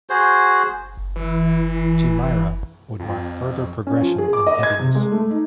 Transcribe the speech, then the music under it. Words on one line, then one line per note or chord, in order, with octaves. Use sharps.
"Chimaira" would mark further progression in heaviness.
F#4 G#4 C5
E3
F2
C#4
F3
G#4
D6
D#5
G#6
C3
G#3
A3
D#4